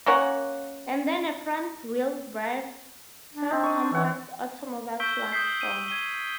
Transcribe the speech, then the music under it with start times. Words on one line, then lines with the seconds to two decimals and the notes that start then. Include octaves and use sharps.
And then a front-wheel drive subcompact automobile platform.
0.06 A#3 C#4 C#5 F#5
3.34 D4
3.50 C4 D#4
3.63 C#6 D#6
3.92 E3 C#5 F#5 E6
5.00 C#6 E6 G6 B6 D7 G7
5.32 D#6 G6 B6 C7
5.61 D#7 G7
5.88 G#6 D#7 G7